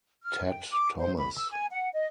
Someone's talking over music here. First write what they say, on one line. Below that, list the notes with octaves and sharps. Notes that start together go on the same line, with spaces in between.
Ted Thomas.
F6
G5
D6
C5
B5
E6
G#5
F#5
D#5